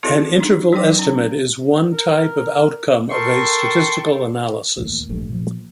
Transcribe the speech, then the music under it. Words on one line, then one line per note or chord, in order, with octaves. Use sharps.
An interval estimate is one type of outcome of a statistical analysis.
C4 E4 F#4 G#4 A4 D5
D4 D#4
F#3 D#4 D5 G5 D6
C#4
A#4
A4 A#4 G5 C6 C#6
D#2 A2 E3 A#3
D1 A#1 G2 A3
A#2 F3